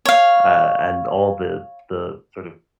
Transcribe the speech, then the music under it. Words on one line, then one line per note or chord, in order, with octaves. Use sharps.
uh, and all the the sort of
C#5 F5